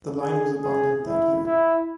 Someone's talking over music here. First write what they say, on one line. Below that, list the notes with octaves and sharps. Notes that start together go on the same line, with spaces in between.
The line was abandoned that year.
G#4
G#4
E4
E4